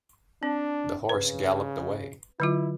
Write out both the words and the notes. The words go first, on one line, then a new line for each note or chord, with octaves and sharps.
The horse galloped away.
C4 D4
C#3 B4
D3 F#3 E4 F4